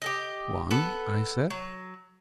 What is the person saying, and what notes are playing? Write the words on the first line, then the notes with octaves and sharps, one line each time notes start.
"One," I said.
G4 A4 D#5
B3 A4
F#3